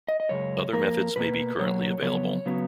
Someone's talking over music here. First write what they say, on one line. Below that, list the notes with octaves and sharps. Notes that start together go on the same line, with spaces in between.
Other methods may be currently available.
D#5
D#5
F#2 C#3 G#3 C#5
F2 F3 A#3 A#4
B2 A#3 B4
B2 F#3 A#3 C#5
F2 C#3 F#3 B3 C#5
C#3 F#3 B3